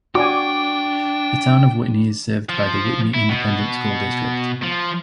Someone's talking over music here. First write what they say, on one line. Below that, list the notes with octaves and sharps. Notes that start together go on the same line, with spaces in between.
The Town of Whitney is served by the Whitney Independent School District.
D4 F#4 D5 G5 G#5 C#6 D6
F3
E4
B2
F3